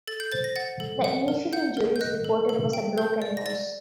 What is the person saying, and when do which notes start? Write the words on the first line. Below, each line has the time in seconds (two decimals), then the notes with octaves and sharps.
The initial injuries reported was a broken nose.
0.07 A4 A6
0.20 G6
0.32 C5 A6
0.44 A#6
0.56 F#5 A6
0.80 A4
1.04 F#5
1.28 A#4
1.53 F#5 G6
1.77 A#4
1.96 G6
2.01 D#5 F#6
2.24 A4
2.49 A4
2.73 G5
2.98 A#4 G6
3.22 D5
3.37 A#6
3.46 D5 A6